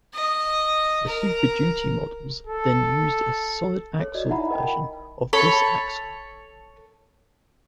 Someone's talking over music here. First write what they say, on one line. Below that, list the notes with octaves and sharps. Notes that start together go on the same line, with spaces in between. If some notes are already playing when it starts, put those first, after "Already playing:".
The Super Duty models then used a solid axle version of this axle.
D#5
A#4
A4
A4 C#5
F#4 D5 D#5
D#4 E4 E5 F#5 A#5 B5
A#4 D#5 G5 A5 B5
A4 C#5 B5